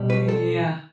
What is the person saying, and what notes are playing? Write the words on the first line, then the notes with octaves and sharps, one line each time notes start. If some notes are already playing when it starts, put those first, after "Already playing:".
Uh, yeah.
Already playing: B2 G3
B4
B1 A4